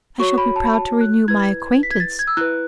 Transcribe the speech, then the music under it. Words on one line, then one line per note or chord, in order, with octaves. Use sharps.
"I shall be proud to renew my acquaintance."
F#4 C#5 C#6
B5
A5
B5
A5
F#6
E4 B4 G#6
B6
G#6
A6
G#6
E6
E4 B4 F#6